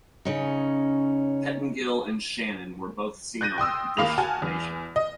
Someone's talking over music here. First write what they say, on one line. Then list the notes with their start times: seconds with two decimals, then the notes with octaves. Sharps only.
Pettengill and Shannon were seen on Dish Nation.
0.25 C#3 C#4 D#4
3.41 F#6 G6 A6 A#6 D#7
3.58 G5 C6 D#6 E6
3.97 D#2 A#3 F5 B5 D#6 F7
4.18 F#4 G#5 A5 F6
4.42 E2
4.96 D#5